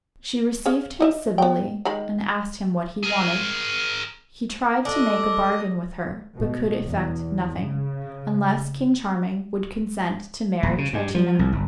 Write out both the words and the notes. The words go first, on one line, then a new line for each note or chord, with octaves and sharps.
She received him civilly, and asked him what he wanted. He tried to make a bargain with her but could effect nothing, unless King Charming would consent to marry Troutina.
G#4 C#5 F5
D#4 D#5 E5
B3 G5
D#3 G#3 B5
G#4 A#4
D4 A4 D#5
B2
E2
C#3
D#1
C#3
G2
F3
C2
G1